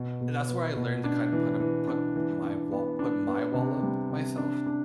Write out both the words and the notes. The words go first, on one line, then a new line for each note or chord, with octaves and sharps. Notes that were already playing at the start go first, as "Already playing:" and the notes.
eh that's where I learned to kind of put up put my wall put my wall up myself
Already playing: B2
B2
B3
B2
D4
E3
E3
D4
E3
D4
B3
D4
B3
C3
G3
C3
D4
D4